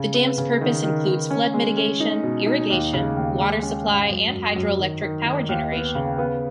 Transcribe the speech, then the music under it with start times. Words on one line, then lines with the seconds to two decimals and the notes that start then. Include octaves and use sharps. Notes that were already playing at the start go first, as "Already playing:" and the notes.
The dam's purpose includes flood mitigation, irrigation, water supply and hydro-electric power generation.
Already playing: C#3
0.14 B3
0.38 C#3
0.61 D#3
0.84 D#3
1.07 D#3
1.31 C#4
1.54 G#3
1.77 C#4
2.00 D#4
2.23 B2
2.46 D#4
2.70 D#2
2.93 C#3
3.17 D#2
3.40 G#3
3.63 C#4
3.86 G#2
4.09 F#2
4.32 F#2
4.56 F#2
4.80 D#3
5.02 D#3
5.26 D#3
5.49 D#2
5.72 B3
5.95 C#3
6.18 B3